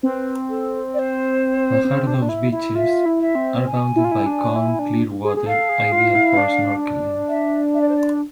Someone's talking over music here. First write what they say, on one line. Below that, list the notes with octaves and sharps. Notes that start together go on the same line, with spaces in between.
Fajardo's beaches are bounded by calm, clear water ideal for snorkeling.
C4 B4 C5
A4
D5
C5
C4
D4
C4
D4
E4
E4
F4 E5
E4
E5
C4
G#5
E4
F4
E4
D4
E4
D4
G#4
G#4
A4 F5
G#4
F4
E4
D4
E5
E5
D5
C5
D5